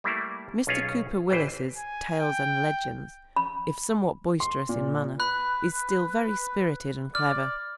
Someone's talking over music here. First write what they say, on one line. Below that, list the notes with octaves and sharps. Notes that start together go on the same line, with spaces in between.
Mr. Cooper Willis's Tales and Legends, if somewhat boisterous in manner, is still very spirited and clever.
G3 A3 A#3 E4
B1 C#4 F4 G#4 C#5
A1 E3 B4 C5 G5
G#5
G5
B5
C6
A#2
B4 B5 F#6
D5 F6